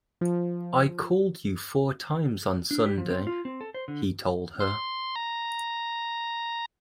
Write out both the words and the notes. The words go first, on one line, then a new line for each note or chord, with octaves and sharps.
"I called you four times on Sunday," he told her.
F3
D4
G4
F3
C4
F4
C4
A4
C5
D3
C6
A#5